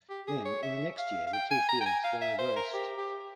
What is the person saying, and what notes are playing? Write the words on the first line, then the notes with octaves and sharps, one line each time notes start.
Then, in the next year, the two fields were reversed.
G4
G#4
C#5
E5
F5
F5
G5
G#5
A#5
G5
G#5
F5
E5
C5
A#4
G4
G4